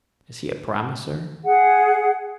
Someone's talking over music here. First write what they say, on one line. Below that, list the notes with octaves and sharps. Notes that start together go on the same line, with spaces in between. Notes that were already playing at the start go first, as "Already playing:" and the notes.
Is he a promiser?
G#4 F#5